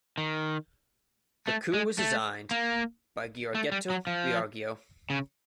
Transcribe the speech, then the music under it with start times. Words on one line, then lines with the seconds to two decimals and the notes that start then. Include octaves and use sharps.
The coupe was designed by Giorgetto Giugiaro.
0.18 D#3
1.47 A3
1.73 G#3
1.99 A3
2.51 A#3
3.55 A3
3.72 G3
3.90 F#3
4.07 F3
5.10 C#3